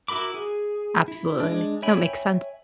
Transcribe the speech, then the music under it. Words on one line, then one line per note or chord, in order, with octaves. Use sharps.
Absolutely, no, makes sense.
E4 F#4 A#4 B5 D6
G#4
E4
G#3 D4
C#5 E5 G5 G#5 B5